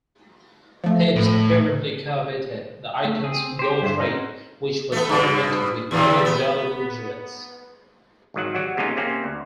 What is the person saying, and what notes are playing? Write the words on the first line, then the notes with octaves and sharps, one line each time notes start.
Thieves apparently coveted the icon's gold frame, which was ornamented with many valuable jewels.
F3 A3
A2
A3
C4 G#4
G4 C5
G2 D3 E4 C5
C4 C#4 D#4 F#4
A3 B3
G2 B2
D#2 C3 F3
B3
G#1 D#3 F#3 F#5
F#3 G3 F#4
C3 G#3 A#3 C#4 D#4 F4
C3 A#3 C4 C#4
D2